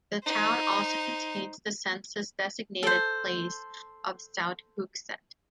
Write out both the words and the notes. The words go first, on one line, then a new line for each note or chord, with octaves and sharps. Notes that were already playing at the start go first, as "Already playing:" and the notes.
The town also contains the census-designated place of South Hooksett.
D#4 C5
A4 C5